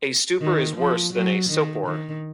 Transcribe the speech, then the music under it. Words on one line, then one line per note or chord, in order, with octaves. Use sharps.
A stupor is worse than a sopor.
D#3
F3
F#3
D#3
D#3